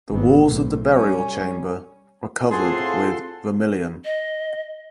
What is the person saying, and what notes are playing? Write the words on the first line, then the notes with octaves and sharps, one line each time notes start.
The walls of the burial chamber were covered with vermilion.
G#1 B3
B1 A2
G3 C#4
A2 C4 F4 G#4 A4 F#5 A5 C6
D#5